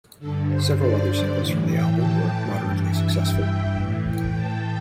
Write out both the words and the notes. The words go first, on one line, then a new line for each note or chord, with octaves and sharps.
Several other singles from the album were moderately successful.
G2 D3 A4
C5
D5
A2 E3
G5
A5
G5
G2 E3 G5
E5
G5
A2 E3
G5
A5